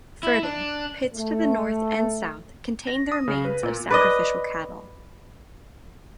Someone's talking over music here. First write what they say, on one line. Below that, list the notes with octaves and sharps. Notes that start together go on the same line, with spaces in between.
Further pits to the north and south contain the remains of sacrificial cattle.
E4
D4
A3
A#6
D#6
C#3
B4
A#2
B4 D5 D#5